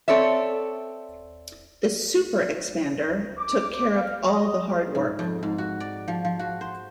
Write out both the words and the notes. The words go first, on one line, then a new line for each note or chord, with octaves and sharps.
The "Super Expander" took care of all the hard work.
C4 A4 C#5 D5 E5
D6
F5
D#5
G#2
F2
G#2
F#4
D5
F3
F3
F#4
C5